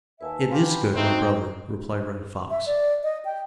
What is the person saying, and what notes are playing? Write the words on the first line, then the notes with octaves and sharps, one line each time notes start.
"It is good, my brother," replied Running Fox.
D#2 B4 E5 G#5 A5
F4 G4 B5
A3 C4 D#4 F#4 D#5 G5
E5
D5
D#5
G5